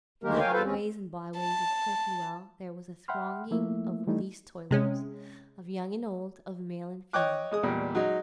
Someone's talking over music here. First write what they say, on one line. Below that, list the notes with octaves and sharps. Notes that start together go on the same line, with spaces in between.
In the highways and byways of Clerkenwell there was a thronging of released toilers, of young and old, of male and female.
D2 D#3 G#3 A#3 G4 A#4
A#4 C#5 F5 G5 G#5
E2 F4 A4 B4 C5 F5
D#2 C4 C#4
A5
E5 F#5 G5 B5 C6 F6
F3 A3 A#3 E4 E5
E3 G3 A3 D#4 E4
C3 G#3 C#4
C#5 D#5 G5 D6 F#6
G#3 G#4 D#6
E2 A#2 G3 G#3
F#3 G#3 D#4